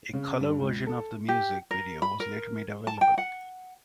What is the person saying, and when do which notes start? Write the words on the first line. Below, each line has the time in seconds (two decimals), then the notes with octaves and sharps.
A colour version of the music video was later made available.
0.13 C#3
0.40 G2
0.59 C#2
0.87 A4
1.28 G4
1.71 A#4
2.02 B5
2.20 A#4
2.87 A5
3.01 G5
3.18 F#5